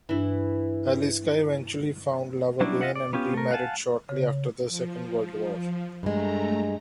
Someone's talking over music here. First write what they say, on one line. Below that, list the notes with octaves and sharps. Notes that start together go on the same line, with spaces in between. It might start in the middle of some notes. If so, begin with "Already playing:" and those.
Eliska eventually found love again and remarried shortly after the Second World War.
G2 E3 D4 E4
F#3 G3 C#4 D4 E4
F4 D#5 E5 F#5
D5
B3 C#4 F4 G4
A3 A#4
F5 F#5 G#5 A5
C#3
F3
G2 G#3 A3 A#5